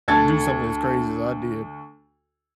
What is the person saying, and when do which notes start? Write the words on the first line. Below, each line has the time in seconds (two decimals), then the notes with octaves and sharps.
do something as crazy as I did,
0.08 D2 A4 G#6 A6